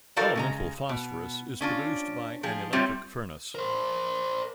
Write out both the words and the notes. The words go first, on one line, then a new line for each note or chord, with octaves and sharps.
Elemental phosphorus is produced by an electric furnace.
D#4 F#4 A4 A#4 D5 F5
C#3 G#3 A#5
B2
C#4 D4 F4
F3 G4 G#4
G3 C4 F4 G4 C#5 E5
A#4 C5